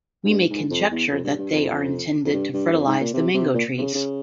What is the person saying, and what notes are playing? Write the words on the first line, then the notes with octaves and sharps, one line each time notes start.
We may conjecture that they are intended to fertilize the mango trees.
G#2
G2
G#2
F2
E2
F2
G2
G2
F2
F2
G2
G2
F2
G#2
A#2
C3
C3
A#2
C3
C#3
C#3